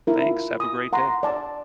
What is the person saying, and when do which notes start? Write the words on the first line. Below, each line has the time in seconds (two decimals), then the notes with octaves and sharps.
Thanks, have a great day.
0.07 E4 A#4
0.26 F4
0.60 D#6
0.93 F#5 A#5 C6
1.23 D5 A5